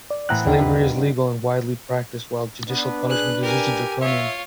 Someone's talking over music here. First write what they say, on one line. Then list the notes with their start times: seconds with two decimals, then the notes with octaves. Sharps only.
Slavery is legal and widely practised, while judicial punishment is usually draconian.
0.11 D5
0.29 A2 E3 B3 C4 A#5 F#6
0.46 D#2 D3 D#3 F4
0.59 G2 B4
2.69 B3 D4 B4
3.10 G#4 F#6
3.43 G4 A#4 G#5
4.01 F4 C#5 E5